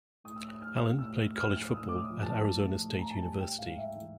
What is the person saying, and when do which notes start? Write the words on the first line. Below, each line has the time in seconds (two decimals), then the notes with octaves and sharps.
Allen played college football at Arizona State University.
0.24 A2 D#6
0.36 E6
0.48 D#6
0.62 A2 F6
0.99 A2 E6
1.35 A2 F6
1.56 F6
1.69 D#6
1.73 A2 E6
1.89 D6
1.98 D#6
2.10 F3
2.23 A5
2.48 A3
2.84 A2
2.99 A#5
3.10 A5
3.22 G3 G#5
3.40 G5
3.58 G#2 F5
3.78 E5
3.96 E3